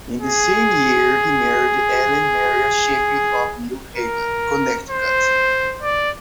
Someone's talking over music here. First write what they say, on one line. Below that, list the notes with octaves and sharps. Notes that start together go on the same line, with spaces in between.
In the same year he married Ellen Maria Sheffield of New Haven, Connecticut.
G#4
A#4
C5
D5